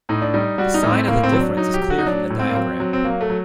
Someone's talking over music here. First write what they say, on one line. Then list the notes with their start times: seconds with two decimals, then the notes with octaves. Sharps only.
The sign of the difference is clear from the diagram.
0.09 A2 D#4
0.22 D4
0.34 G3 D#4
0.58 G3 F#4
0.74 D#4
0.83 A2
0.91 C4
1.08 A2 A#3
1.23 C4
1.32 F#3
1.41 D4
1.57 F#3 D#4
1.74 G4
1.81 F#3
1.90 F#4
1.98 D#4
2.06 F#3 D4
2.30 A2
2.39 C4
2.49 A#3
2.55 F#3 C4
2.80 F#3
2.93 C4
3.04 F#3 A#3
3.21 A3
3.30 F#3